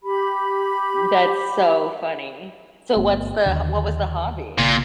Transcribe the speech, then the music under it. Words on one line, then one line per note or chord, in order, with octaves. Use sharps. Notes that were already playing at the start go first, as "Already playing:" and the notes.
That's so funny. So what's the what was the hobby?
G4 B5
G1 A3 B3
D#2 D3
A#1 A#2 C#3 A#3